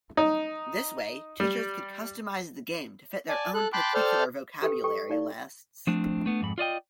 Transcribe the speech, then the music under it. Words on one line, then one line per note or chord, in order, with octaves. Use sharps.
This way, teachers could customize the game to fit their own particular vocabulary lists.
D#4
G3
D5 G#5 A5
A4 F#6
G5 A5 B5 C6 D6 F#6
A4 C5 D5 G5 A5 F6
G4 A4 B4 G5
A4 G5 C#6
D#4 D5 F5
F3 A3 C4 D4
A3 B3 D4
F2 G#2 B5
F4 D5 D#5 G5